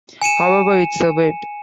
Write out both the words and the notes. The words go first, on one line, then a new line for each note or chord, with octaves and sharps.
However, it survived.
G#5 C#7 D#7 E7